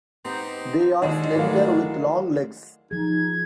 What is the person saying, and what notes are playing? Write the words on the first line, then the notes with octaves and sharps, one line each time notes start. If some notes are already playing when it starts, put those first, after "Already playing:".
They are slender, with long legs.
B3 C4 D#4 G4
D#2 G#3 D4 F#4 D#5
E3 F#3 A3 A#4 D#5 F5
F3 D#4 G#4 G#6